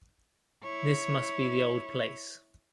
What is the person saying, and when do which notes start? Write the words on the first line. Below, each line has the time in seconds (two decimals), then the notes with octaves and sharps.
This must be the old place.
0.63 E4 C#5